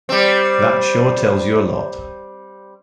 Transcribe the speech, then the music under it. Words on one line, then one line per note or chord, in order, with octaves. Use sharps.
That sure tells you a lot.
G3 C4